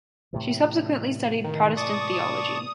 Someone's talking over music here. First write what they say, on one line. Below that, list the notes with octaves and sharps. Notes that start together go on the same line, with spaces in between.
She subsequently studied Protestant theology.
A2 C3 E3
D#3
D5 A5 C#6 D#6